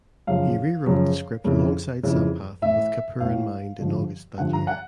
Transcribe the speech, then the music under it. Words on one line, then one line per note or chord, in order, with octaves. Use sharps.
He rewrote the script alongside Sampath with Kapoor in mind in August that year.
F#2 C#3 F3 F5
F#2 C#3 F3
F2 C#3 E3
F2 C#3 E3
A2 E3 E5
A2 E3 F5
G2 D3 F3
G2 D3 F3 F#5
A#5
F#5